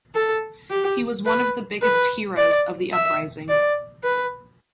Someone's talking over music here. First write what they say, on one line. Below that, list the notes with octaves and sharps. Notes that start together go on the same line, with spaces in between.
He was one of the biggest heroes of the Uprising.
A4
G4
B4
B4
D5
E5
D5
B4